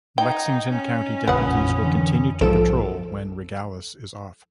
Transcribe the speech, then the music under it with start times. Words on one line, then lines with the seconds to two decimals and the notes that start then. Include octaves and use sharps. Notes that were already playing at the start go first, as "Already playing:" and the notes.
Lexington County deputies will continue to patrol when Regalis is off.
0.18 D#4 G5 G#6
0.72 C#4
1.28 A1 F2 A#2 C#3 B3 F#5 B5 D#6
1.83 D3 E3
2.41 B1 G#2 F3 A4 D7 E7